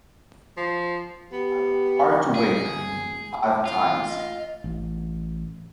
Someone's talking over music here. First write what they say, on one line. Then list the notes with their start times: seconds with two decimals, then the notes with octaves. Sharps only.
I am hard to wake, odd times.
0.57 F3
1.33 B3 G4
2.35 G#4 G#5
2.78 G#5
3.66 F4
4.09 D#5
4.64 A1